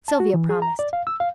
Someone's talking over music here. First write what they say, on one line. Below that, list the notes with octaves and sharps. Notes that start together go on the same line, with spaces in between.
Sylvia promised.
A5
F#4
E3
G#4
A#5
D5
F5
E6
F5